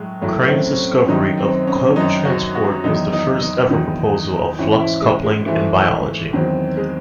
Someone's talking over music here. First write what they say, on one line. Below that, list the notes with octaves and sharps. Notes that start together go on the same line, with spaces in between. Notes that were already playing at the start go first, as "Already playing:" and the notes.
Crane's discovery of cotransport was the first ever proposal of flux coupling in biology.
Already playing: A2 F#3 G#3
A2 F#3 A3
C4
C#4
C#4
F#2 D#3 F#3 D#4
C4
C#4
C#4
F#2 D#3 F#3 D#4
F#4
F#4
E2 D#3 F#3 D#4
D#4
D#4
E2 D#3 F#3
G#2 E3 C#4
E4
G#3
G#3
G#2 E3 A3
E2 D#3 F#3 C4
G#3